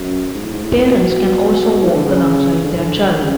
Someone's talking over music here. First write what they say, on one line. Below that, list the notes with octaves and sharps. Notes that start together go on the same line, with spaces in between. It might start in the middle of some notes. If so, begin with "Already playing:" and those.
Parents can also walk alongside their child.
Already playing: F#2
G#2
A2
G#2
A2
B2
E3
D3
C#3
D3
C#3